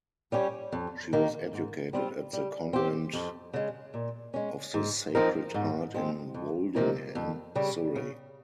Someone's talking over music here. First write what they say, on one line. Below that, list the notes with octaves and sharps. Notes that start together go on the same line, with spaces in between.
She was educated at the Convent of the Sacred Heart in Woldingham, Surrey.
G3 C#4 G4 C#5
F2
D#3 A#3
G#2
G3 C4 F4
G3
C4 G4
F2
C#3 G#3
A#2
G#3 C#4
G#2
F3 C4 D#4 A#4
G#2
F3 G#3 C4
F2
C3 F3 A#3 D#4
F2
C#3 G3
C#3